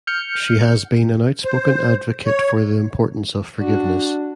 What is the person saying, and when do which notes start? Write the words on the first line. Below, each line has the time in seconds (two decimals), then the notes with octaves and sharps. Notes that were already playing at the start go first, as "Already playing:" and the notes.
She has been an outspoken advocate for the importance of forgiveness.
0.07 F6 G6 C#7
1.44 C5
2.26 C#5
3.60 D4 F#4